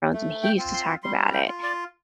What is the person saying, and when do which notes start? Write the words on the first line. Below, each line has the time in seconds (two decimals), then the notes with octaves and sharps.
Thrones," and he used to talk about it.
0.13 A3
0.43 G5
0.58 C4 F4
0.73 C6
1.03 G3 C6
1.33 G5
1.48 F4
1.63 D5